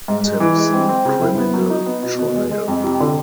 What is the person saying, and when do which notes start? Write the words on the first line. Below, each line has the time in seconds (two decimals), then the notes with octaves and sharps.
Simpson criminal trial.
0.08 G#2
0.24 G#3
0.40 E3
0.57 G#3
0.73 C4
0.89 C4
1.05 C#3
1.21 E4
1.38 B3
1.54 F#3
1.70 D#4
1.86 B3
2.03 B2
2.19 B2
2.35 G#3
2.51 G#3
2.68 F2
2.84 C3
3.00 D3